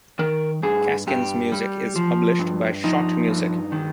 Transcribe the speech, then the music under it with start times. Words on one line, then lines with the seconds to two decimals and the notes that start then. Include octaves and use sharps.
Casken's music is published by Schott Music.
0.19 D#3 A#4
0.63 G2 G#4
1.07 G2 G4
1.52 G3
1.96 F3
2.39 G2
2.84 F3 D#4
3.28 G2
3.72 D#3